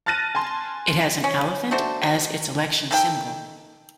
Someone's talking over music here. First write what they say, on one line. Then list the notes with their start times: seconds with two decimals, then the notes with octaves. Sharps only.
It has an elephant as its election symbol.
0.06 A5 F6 F#6 A6 A#6 D#7
0.35 G#5 A5 C6
1.24 C#4
1.71 A3 D4 F#4 C5
2.91 D#3 A4 G5